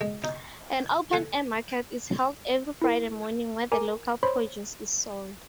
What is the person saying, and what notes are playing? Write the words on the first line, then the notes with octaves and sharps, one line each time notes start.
An open-air market is held every Friday morning where the local produce is sold.
G#3
D#4
A4 F#5 G#5
E4 A#4
A#4 G#5 A#5 D6
C5 C#5 B5 C6